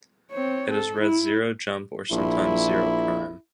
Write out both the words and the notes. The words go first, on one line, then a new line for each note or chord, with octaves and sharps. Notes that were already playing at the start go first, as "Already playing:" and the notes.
It is read "zero-jump" or sometimes "zero-prime".
C4 C#5
A4
E4
A#1 E4